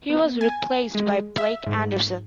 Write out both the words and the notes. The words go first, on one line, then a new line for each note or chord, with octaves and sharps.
He was replaced by Blake Anderson.
B3
G#5
G#3
E5
G#2